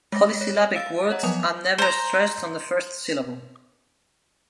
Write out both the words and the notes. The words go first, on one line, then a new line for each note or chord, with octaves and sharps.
Polysyllabic words are never stressed on the first syllable.
G#3 D6 A#6
C#5
F5 E6 A6 D7
C#5 D#5 F#5 A#5
F3 F#3 B3 G#5 D#6 F7
C5 A#5